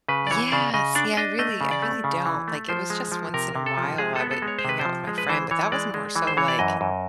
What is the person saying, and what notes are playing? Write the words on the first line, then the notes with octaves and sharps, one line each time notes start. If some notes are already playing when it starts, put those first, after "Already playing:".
Yes. Yeah, I really I really don't, like, it was just once in a while, I would hang out with my friend, but that was more so like
C#3 B4
D5
E3 C#5
C#3 D5
C#3 D#5
D4 D5
D4 D#5
A3 D#5
C#3
D5
A3
C#3
E3
A3
F3 C5
G#3
F3
C3 A#4
C3
A4
F3
G#3 G#4
B3 A4
A4
G#3
C#5
C5
C3 B4
C5
F3
G#3
B4
E3 C5
E3 C#5
G#3 D5
G#3
E3
C5
E3 C#5
D5
F#2 D#5
F#2